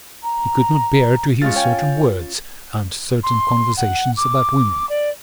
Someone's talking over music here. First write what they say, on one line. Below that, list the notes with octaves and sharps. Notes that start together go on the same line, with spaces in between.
He could not bear to hear certain words and certain conversations about women.
A#5
G#3 C#4 F4 A6
C#5 G5 G#5
C6
F#5
D6
D5